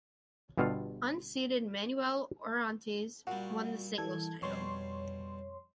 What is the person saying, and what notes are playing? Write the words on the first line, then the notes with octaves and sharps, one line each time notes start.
Unseeded Manuel Orantes won the singles title.
G1 G2 B2 F4 A4 F5
A#2 G3 F#4
E3 A4 G#6
F2 B2 G3 C#5 C6